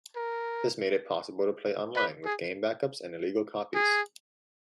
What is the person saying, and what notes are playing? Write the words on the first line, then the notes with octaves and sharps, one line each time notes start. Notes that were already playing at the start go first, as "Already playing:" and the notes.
This made it possible to play online with game backups and illegal copies.
A#4
B4
G#4
G#4